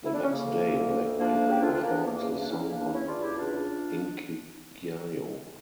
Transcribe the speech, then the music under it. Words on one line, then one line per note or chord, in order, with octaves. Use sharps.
The next day Blackpink performed the song on "Inkigayo".
E4
D4
C#4
C#3 A#3
D2
D2
D2
D2
D2
F3 A#3 D4
D2
C#3 G4
D2 D4 F4
F3 D4 F4
A#3 D4
F3
E2 A#3
C#3 A#3
E2 A#3 D4
C#3 C#4 E4
E2
A#3 D4
E2
E2 C#4 E4
E2 D4 F4
C#3 E4 G4
E2 D4 F4
C#3